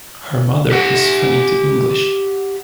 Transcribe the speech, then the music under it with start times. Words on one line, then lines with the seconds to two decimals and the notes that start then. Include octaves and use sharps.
Her mother is Fanita English.
0.71 G4 F#5